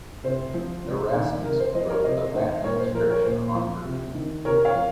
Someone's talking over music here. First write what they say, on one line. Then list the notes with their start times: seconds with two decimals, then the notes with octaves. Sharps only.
Erasmus wrote the Latin inscription on her tomb.
0.23 C3 C5
0.54 F3
0.84 C3
1.14 D#3
1.44 C3 A#4
1.60 C5
1.74 F3 C5 D#5
1.89 A#4 C#5
2.04 C3 C5 D#5
2.34 D#3 C5 D#5
2.64 A#2 A#4 C#5
2.80 C5
2.94 F3 A#4
3.10 A#4 C#5
3.25 A#2 C5
3.55 F3
3.85 C3
4.15 D#3
4.45 C3 A#4 C#5
4.65 C#5 F5
4.75 F3